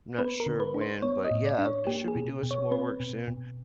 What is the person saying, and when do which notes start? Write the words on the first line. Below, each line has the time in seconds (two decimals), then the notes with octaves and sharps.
I'm not sure when, but, yeah, I should be doing some more work soon.
0.18 B3 B4
0.40 A#4
0.46 D3
0.60 B4
0.74 D4
0.81 C5
1.02 B3 C#5
1.25 D#5
1.31 A2
1.45 D5
1.59 D4
1.66 C#5
1.87 A#3 G4
2.08 G#4
2.16 B2
2.43 B2
2.51 C#5
2.71 C4 B4
3.00 B2
3.28 B2